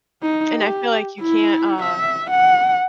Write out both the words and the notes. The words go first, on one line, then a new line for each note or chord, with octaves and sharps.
And I feel like you can't, uh
D#4
G4
E4
E5
F#5